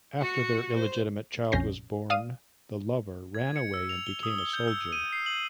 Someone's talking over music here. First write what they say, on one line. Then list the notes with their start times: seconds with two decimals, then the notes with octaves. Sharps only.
After their illegitimate child was born, the lover ran away and became a soldier.
0.19 F#4 F#5
0.75 C5
1.52 A#1 F2 C#4 G6 A#6 C7
2.10 D5 F5 D#6 D#7
3.35 G#6
3.56 C#7
3.74 E6
3.89 F7
4.06 G7
4.23 D#6
4.38 G7
4.53 G6
4.67 E6
4.92 D#7
5.13 C7
5.26 F#7